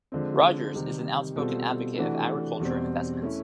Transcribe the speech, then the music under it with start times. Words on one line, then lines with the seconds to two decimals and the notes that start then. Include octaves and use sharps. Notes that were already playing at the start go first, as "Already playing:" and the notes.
Rogers is an outspoken advocate of agriculture investments.
0.12 D3 F3 G#3 C4
0.74 C3 D#3 G3
1.36 B2 G3 C4 F4 A4
1.98 C3 E3 A3 D4 F#4
2.60 E2 B2 G3 C4
3.22 A3 C#4 E4